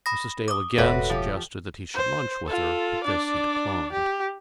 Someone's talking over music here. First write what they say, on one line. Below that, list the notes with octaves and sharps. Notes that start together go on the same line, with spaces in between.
Mrs. Dale again suggested that he should lunch with her, but this he declined.
B5 D#6 A#6
D6 D#6
E1 A2 C4 F#4 A4 B4 C#5 E5
F3 G4
C5
F4 A4
D4 D5
G4